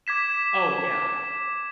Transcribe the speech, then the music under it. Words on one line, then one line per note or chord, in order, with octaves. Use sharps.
Oh, yeah.
D6 G#6 B6 E7